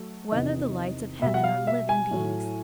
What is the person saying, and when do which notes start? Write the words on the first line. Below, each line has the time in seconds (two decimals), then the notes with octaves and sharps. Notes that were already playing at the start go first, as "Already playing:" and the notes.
Whether the Lights of Heaven Are Living Beings?
Already playing: F#3 A3
0.32 E2 C3 D#3 D#5
1.22 B2 G3 E5
1.34 F#5
1.44 F5
1.67 E5
1.89 G#5
2.11 A2 F#3 A3